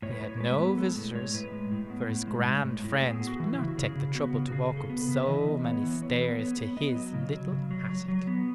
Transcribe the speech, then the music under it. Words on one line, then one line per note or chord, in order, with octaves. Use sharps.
He had no visitors, for his grand friends would not take the trouble to walk up so many stairs to his little attic.
A2 C#5
B4
A2 C#5
G#3 B4
B3
G#3 A4
A2
G#3 C#5
A2 B4
G#3
A2
B3
A2
G#3
A2
A2
A2
A4
B3 G#4
B3
F#4
E3
E4
C#3
F#4
C#3 G#4
C#3
B3 F#4
C#3
F#4
C#3 G#4
C#3
A4
B3
B4
C#3
E5
E3 D#5
B3
B3 C#5
E3
B3 C#5
B4
B3 A4
B4
B3 C#5
B3
B3 D#5
F#3
C#3
F#3
C#3
F#3
F#3
F#3
B3